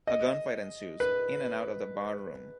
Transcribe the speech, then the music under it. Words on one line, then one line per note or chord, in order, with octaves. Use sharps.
A gunfight ensues, in and out of the barroom.
D#5
B4